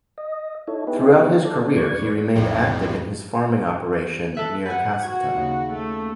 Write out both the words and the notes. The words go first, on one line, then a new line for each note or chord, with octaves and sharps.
Throughout his career, he remained active in his farming operation near Casselton.
D#5
D#4 E4 A4 C#5
B3 D#4 E4 G4 G#4 B4
A4 D5
E2 G2 B4 D5 C#6 G#6
B1 F2 A2
A4 E5 F#6
B4 F#5 G#5
F#4 G#6
D#2 C#3
A3